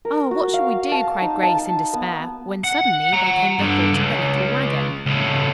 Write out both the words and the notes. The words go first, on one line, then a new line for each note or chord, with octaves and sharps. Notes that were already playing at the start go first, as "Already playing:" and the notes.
"Oh, what shall we do?" cried Grace in despair when suddenly there came the thought of the little wagon.
A#4
F#4
F5
A5
D#4
A5
B3
F#5
F#5 A#5
G2 D3
C#2
C#2 A2